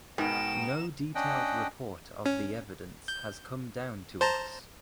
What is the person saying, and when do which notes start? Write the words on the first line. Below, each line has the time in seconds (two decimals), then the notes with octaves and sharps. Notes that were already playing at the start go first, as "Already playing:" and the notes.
No detailed report of the evidence has come down to us.
0.18 G#2 B2 B3 D#4 A#4 G5 E7
1.15 C#4 D4 D#5 F#5 G5
2.26 C#4
3.08 G6
4.21 C5 A5 A#5